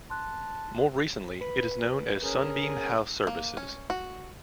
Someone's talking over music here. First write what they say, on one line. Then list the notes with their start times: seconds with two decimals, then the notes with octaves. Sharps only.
More recently it is known as Sunbeam House Services.
0.10 A5 C6 F#6
1.41 B4
2.22 C#4 G#4 A#4
3.27 A#3
3.57 C#4
3.90 F#4